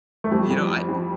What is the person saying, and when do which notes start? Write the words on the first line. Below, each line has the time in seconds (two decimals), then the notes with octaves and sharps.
You know, I, uh
0.24 A3
0.31 F2 G3
0.50 F2
0.69 G3
0.89 F2